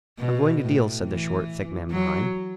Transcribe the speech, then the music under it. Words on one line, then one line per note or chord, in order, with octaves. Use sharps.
"I'm going to deal," said the short, thick man behind.
B2
A2
E3
F#3